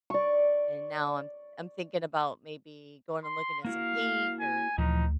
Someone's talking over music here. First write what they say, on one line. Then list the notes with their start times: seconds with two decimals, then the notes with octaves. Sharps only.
And now I'm I'm thinking about maybe going and looking at some paint or
0.10 D5 C#6
3.24 C6
3.65 A#3 E4 F#4 F5
4.40 G#5
4.78 D2 A#2 E3 F3 D#4